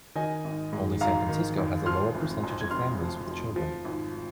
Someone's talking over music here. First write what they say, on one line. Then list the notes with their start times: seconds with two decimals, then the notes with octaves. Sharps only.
Only San Francisco has a lower percentage of families with children.
0.15 D#3 D#5 G#5
0.44 G#1
0.73 G#2
1.01 G#1 F5 A#5
1.29 D#3
1.58 G#1
1.86 F3 C6 F6
2.15 F1
2.43 F2
2.61 G#6
2.71 F1 C6 F6
2.99 F3
3.27 F1
3.56 F3
3.85 G#1